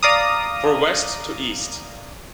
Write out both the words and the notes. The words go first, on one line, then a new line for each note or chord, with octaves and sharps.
For west to east.
D5 F5 A#5 D#6